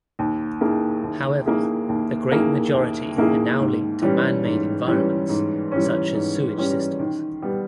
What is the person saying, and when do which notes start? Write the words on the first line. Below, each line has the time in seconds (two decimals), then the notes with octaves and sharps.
However, the great majority are now linked to man-made environments, such as sewage systems.
0.19 D#2
0.61 D#3 A#3 E4 G#4
1.03 D#2
1.46 D#3 A#3 E4 G#4
1.89 D#2
2.31 D#3 A#3 E4 G#4
2.74 D#2
3.16 D#3 A#3 E4 G#4
3.59 G#2
4.02 E3 G3 C#4
4.45 G#2
4.87 E3 G3 C#4
5.29 G#2
5.72 E3 G3 C#4
6.15 G#2
6.57 E3 G3 C#4
6.99 D#3
7.42 G3 B3